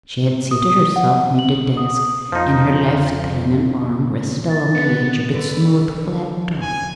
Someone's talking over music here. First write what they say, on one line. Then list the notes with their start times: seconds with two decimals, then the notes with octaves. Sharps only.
She had seated herself near the desk, and her left hand and arm rested along the edge of its smooth flat top.
0.51 D#6
0.96 F#5
1.39 F#7
1.77 D#6
2.32 F2 F3 D#4
4.50 A6
4.75 B3
5.33 D3 B4 D5
6.62 G#5